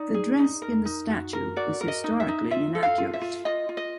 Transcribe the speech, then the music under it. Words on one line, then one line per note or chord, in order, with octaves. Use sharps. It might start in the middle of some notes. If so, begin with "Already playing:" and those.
The dress in the statue is historically inaccurate.
Already playing: D#4 D5
G#4
D#4
A#4
D#4
F#4
A#4
F#4 D5
A#4
D#5
D#4
E5
D#4
F4 E5
A4
F5
F4
E5
F4
F4 D#5
F4
D#5